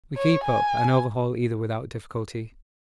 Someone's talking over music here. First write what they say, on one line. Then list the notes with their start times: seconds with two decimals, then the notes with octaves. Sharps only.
We keep up and overhaul either without difficulty.
0.16 C#5
0.44 G#5